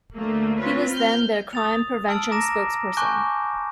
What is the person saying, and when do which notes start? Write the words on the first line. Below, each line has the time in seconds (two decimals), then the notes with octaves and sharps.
He was then their Crime Prevention spokesperson.
0.14 D2 A3 A#3
0.59 C4 F4 B4 C#5
0.92 F6 G6
1.53 D#6 A6 F7
2.08 A5 E6 F6 D7 F#7
2.31 A#5 D6 A#6 E7
2.97 G#5 A5 C#6 D6 F#6 G6